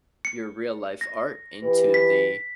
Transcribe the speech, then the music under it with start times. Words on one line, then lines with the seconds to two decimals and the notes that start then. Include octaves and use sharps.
your real-life art into the,
0.25 C#7
1.01 A#6
1.62 E3 G4 B4
1.94 B6